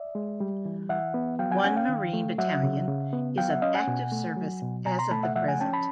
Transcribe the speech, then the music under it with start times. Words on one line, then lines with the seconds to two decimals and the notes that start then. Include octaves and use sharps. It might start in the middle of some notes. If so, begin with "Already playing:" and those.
One Marine Battalion is of active service as of the present.
Already playing: D5 E5
0.15 G#3
0.40 G3
0.65 E3
0.89 E3 E5 F#5
1.14 B3
1.39 F#3 F5 G5
1.51 F#5 G#5
1.58 G5
1.64 C#4 F#5 G#5
1.76 F5 G5
1.89 D#3
2.13 A3
2.38 F#3 E5 F#5
2.63 C#3
2.88 C#3
3.13 B3
3.37 F#3 F5 G5
3.50 E5 F#5
3.62 C#4 D#5 F5
3.75 F#5 G#5
3.87 B2
4.12 A3
4.37 F#3
4.62 B2
4.86 B2 G#5 A#5
4.99 A#5 C6
5.11 A3 A5 B5
5.23 E5 F#5
5.36 F3 E5 F#5
5.48 F#5 G#5
5.61 C#4 G5 A5
5.73 A5 B5